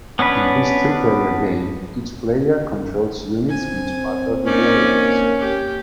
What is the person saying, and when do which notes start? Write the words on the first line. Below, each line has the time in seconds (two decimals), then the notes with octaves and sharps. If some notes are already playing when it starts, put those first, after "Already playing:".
In this two-player game, each player controls units which battle in the arenas.
0.19 B3 C#4 D4 B4
3.50 C4 G#5
4.46 A#3 C#4 D#4 D5
5.39 G4